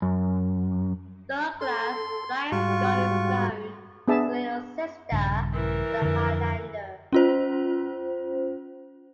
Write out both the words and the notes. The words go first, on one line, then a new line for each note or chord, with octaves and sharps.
Douglass' "Flying Scot" is known as the little sister to the "Highlander".
F#2
A4 C6
G#2 G3 F4 F#4 C#6
B3 D4 G#4 E5 A5
A#1 G2 C#3
E3 A#4
F2 D3
C#4 F4 C5